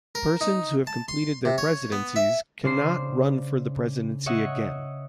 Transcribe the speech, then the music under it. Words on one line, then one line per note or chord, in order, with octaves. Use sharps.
Persons who have completed their presidencies cannot run for the presidency again.
A#4
D#4
A5
C6
C3
C#5
B3
E5
C#3 D4 C5 C7
C#5 D#5 E5 F#5